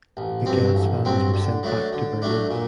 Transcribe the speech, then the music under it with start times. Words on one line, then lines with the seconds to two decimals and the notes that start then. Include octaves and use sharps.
The gas vans were sent back to Berlin.
0.17 A1
0.46 G2 F#3 C4
0.75 A1
1.05 G2 F#3 C4
1.34 D3
1.63 F#3 A3 D4
1.93 D3
2.22 F#3 A3 D4
2.51 A#2